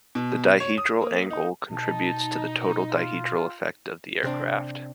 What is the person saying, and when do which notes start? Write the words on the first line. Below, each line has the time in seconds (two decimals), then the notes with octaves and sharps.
The dihedral angle contributes to the total dihedral effect of the aircraft.
0.15 B2
0.60 C#5
0.78 D#6
1.01 A#3
1.30 D#4
1.71 B2 D#4 A5
2.90 F4
4.23 C3 C4 D4